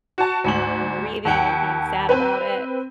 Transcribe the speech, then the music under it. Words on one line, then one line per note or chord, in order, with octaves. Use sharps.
grieving and being sad about it,
F#4 A5
D2 G#2 F#7
D#2 F#5 G5
C4 B4